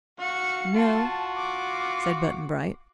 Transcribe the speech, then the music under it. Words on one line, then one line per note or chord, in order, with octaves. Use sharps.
"No," said Button-Bright.
F#4 F5 C#7
F4 F#4 A5
D6